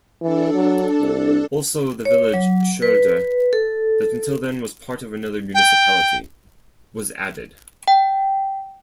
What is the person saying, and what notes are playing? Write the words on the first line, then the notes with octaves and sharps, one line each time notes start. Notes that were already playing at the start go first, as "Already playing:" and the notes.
Also the village Scheulder, that until then was part of another municipality, was added.
E3 D4 A4
F#3
C2
C#5
F#3
B4
A4
G5
G5